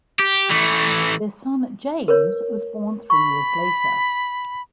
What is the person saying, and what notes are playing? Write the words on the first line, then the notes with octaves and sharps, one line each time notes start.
Their son James was born three years later.
G4
E3 A3
A#4 B4 C#5
B5 C#6